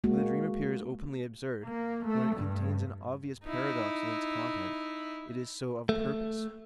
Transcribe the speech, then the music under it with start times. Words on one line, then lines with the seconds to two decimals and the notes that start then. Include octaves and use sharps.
When the dream appears openly absurd, when it contains an obvious paradox in its content, it is so of purpose.
0.04 G#3 A#3 F#4
1.66 A#3
2.06 A3
2.37 G2
3.44 D#4 E4
5.89 A3